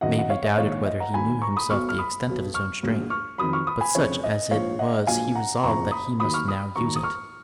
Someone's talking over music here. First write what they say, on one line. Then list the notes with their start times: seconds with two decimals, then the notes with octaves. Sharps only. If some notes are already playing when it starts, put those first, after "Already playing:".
It may be doubted whether he knew himself the extent of his own strength, but such as it was he resolved that he must now use it.
0.01 G#1 F#2 D#3 F#3 D#5 F#5
0.18 F#5
0.30 C#5 F5
0.44 D#5
0.58 A#1 G#2 D#3 C#5 F5
0.86 D#5
1.00 F#5 A#5
1.14 D#2 D#3 F#3 G#5 B5
1.42 A#5 C#6
1.56 B5 D#6
1.70 B1 B2 F#3 C#6 F6
1.89 F6
1.98 B5 D#6
2.27 B1 B2 F#3
2.54 C#6 F6
2.83 A#1 G#2 F#3
3.10 C#6 F6
3.38 F2 D#3 F#3 B5 D#6
3.53 C#6 F6
3.67 B5 D#6
3.81 G#5 B5
3.95 F1 F2 C#3 C#5
4.24 D#5
4.51 A#1 G#2 F3 C#5 F5
4.79 D#5 F#5
5.07 A#1 A#2 F#3 F5 G#5
5.35 F#5 A#5
5.63 F#1 F2 F3 A#5 C#6
5.91 B5 D#6
6.20 D#2 D#3 F#3 B5 D#6
6.34 C#6 F6
6.48 B5 D#6
6.76 D#2 D#3 F#3 A#5 C#6
6.96 D#6
7.03 C#6 F6